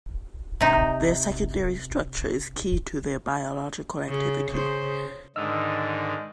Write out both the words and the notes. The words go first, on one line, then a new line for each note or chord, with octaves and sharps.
Their secondary structure is key to their biological activity.
C3 D#4
C#3
C#3 C5
G#2 D3 D#3 D#5 E6 F6